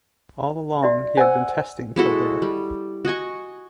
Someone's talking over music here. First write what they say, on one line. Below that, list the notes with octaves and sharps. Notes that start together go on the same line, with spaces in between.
All along, he had been testing Kildare.
F#4 D5 E5
C5 F#5 G#5 E6
G#3 E4 F#4 A4
G3
F#4 D#5 G#5 C#6